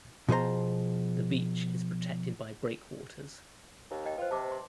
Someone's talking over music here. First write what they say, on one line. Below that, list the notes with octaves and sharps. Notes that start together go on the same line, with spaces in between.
The beach is protected by breakwaters.
B2 F3 G#4 B4 C5 A#5
D#2
D#5 G5
F4 B4 C5
C3 A5 D6
C6